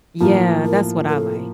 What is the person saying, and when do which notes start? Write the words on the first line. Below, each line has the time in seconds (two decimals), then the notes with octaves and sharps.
Yeah, that's what I like.
0.20 A2 F3 A#3 F4
0.65 A#4
1.09 A#4
1.13 A4